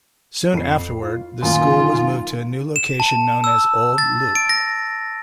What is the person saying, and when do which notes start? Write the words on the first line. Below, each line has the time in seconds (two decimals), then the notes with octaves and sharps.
Soon afterward, the school was moved to a new location known as Old Leupp.
0.53 F2 C7
1.02 F4
1.42 F#2 A#2 D#3 F4
2.76 E7
3.00 A5
3.44 E6
3.98 A6
4.35 D7
4.49 A#6